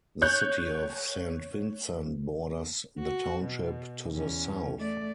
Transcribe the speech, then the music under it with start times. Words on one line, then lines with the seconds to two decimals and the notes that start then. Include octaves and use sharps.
The city of Saint Vincent borders the township to the south.
0.22 C#5 F#6 G6
2.99 F#4
3.44 B2
4.11 E2 C#4
4.78 A3 D5